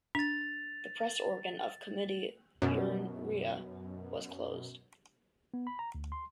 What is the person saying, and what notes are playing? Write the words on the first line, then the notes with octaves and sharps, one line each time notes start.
The press organ of the Committee, "Unirea" was closed.
D4 A6 F7
F#2 B2
B3
B5
A#5
D2
C6